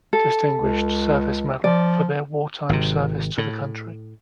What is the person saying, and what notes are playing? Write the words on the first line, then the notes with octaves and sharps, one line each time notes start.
Distinguished Service Medal for their wartime service to the country.
A4
C#2
F3 D5
G#1 C3
A2